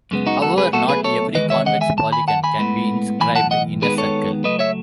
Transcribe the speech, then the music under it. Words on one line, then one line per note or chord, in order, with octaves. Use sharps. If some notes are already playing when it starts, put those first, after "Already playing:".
However, not every convex polygon can be inscribed in a circle.
F#2 C#3 G#3 B3
D#4 F#4
F#4 A4
G#4 B4
B1 B2 A3 F#4 A4
G#4 B4
A4 C#5
E2 D#3 G#3 B4 D#5
C#5 E5
D#5 F#5
E5 G#5
D#2 D#3 A5
G#5 B5
F#5 A5
G#5 B5
A2 G#3 B3
B1 A2 E3 G#5 B5
F#5 A5
D#5 F#5
D#2 D#3 G#3 B3 G#4 B4
A4 C#5
C#2 B2 F#3 A3 B4 D#5
C#5 E5